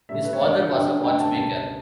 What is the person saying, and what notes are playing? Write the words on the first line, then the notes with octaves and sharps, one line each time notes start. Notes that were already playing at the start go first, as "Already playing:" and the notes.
His father was a watchmaker.
A2 G3 E5
B4
C#5
G2 E3 G3 D5
F#5
G2 D3 F#3 G5
F#2 D3 A3 G5
A5
C#2 B2 G3 A5